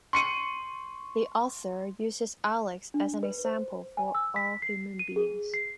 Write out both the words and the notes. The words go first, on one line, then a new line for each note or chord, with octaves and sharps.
The author uses Alex as an example for all human beings.
C6 C#6 C#7 D#7
D4
B4
C5
G#5
E6
B6
C7
D#7
G#4
C7